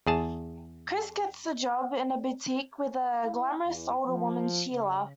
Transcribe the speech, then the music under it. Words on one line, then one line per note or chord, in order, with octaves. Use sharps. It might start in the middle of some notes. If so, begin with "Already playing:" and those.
Chris gets a job in a boutique with a glamorous older woman, Sheila.
E2 G#4 A5
E4
E2
F3
C#3